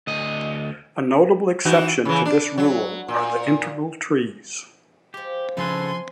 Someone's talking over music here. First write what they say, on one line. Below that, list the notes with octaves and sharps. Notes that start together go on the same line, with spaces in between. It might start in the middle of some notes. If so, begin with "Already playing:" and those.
A notable exception to this rule are the Integral Trees.
D2 D#5
E3 D#4 F#4
C#3 E3
D4
F#3
A#2
F3 G#3 G4
C#3 F3 C4 A4 B4 G#5 A5 C6